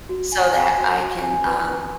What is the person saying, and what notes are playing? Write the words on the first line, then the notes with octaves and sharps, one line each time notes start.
so that I can, um
F#4
G#5
G#5
F#4
F#4
G#5
B4
B4